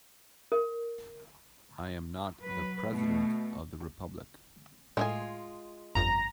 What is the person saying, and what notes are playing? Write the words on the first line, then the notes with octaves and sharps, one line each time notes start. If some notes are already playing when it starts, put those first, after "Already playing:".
I am not the President of the Republic.
A#4
F#3 B4
B2 A3
A2 G#3 F4 G#5
G1 F2 A#5